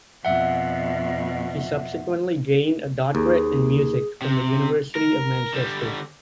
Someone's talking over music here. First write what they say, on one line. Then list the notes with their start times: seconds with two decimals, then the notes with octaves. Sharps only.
He subsequently gained a doctorate in music from the University of Manchester.
0.25 F2 B2 E5 F#5
3.15 D#2 G#4
4.22 C3
4.95 A#4
5.53 D3 G3